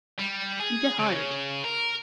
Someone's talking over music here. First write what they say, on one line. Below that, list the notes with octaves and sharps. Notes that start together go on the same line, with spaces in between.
You get hired.
G3
G#4
C#3
A#4